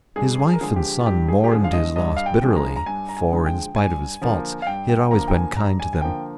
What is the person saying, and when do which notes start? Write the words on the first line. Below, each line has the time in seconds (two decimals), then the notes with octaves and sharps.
His wife and son mourned his loss bitterly, for, in spite of his faults, he had always been kind to them.
0.16 G2 G#4
0.46 G#4
0.53 A#4
0.61 D3 F3 G#3 G#4
0.76 G4
0.99 F4
1.06 G2 G4
1.28 G#4
1.44 G4
1.51 D3 F3 G#3 G#4
1.64 F5
1.73 D#5
1.96 G2 D#5
2.17 F5
2.26 G5
2.42 D3 F3 G#3
2.56 A#5
2.76 A#5
2.86 G2 G#5
3.09 A#5
3.17 G#5
3.31 D3 F3 G#3
3.46 G5
3.76 G2 G#5
4.21 D3 F3 A#3
4.62 F5
4.66 G2 G5
4.89 G5
5.11 D3 F3 A#3 A#5
5.28 G5
5.34 G#5
5.56 G2 A#5
5.80 G#5
5.93 G#5
6.02 D3 F3 A#3 G5